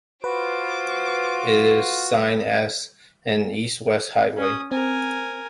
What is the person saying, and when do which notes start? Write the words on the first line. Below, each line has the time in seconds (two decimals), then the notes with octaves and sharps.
It is signed as an east-west highway.
0.24 F4 F#4 B4 C5 D6
4.38 C#4 D#6
4.72 C4 A#4 G#5